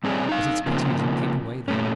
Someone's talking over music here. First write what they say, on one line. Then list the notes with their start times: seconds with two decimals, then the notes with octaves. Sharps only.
But it's a pity you didn't keep away, then.
0.04 G3 C4 G#4 B4 C#5 D5
0.29 D#4 F5
0.66 C#3 F3 A#3 C4
1.68 A#2 A3 C#4